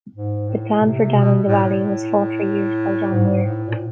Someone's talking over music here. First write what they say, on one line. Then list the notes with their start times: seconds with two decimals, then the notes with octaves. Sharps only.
The plan for damming the valley was fought for years by John Muir.
0.15 G#2
0.48 A2
0.81 C3
1.14 B2
1.47 A2
1.64 A2
3.12 G#2
3.45 A2
3.68 A#2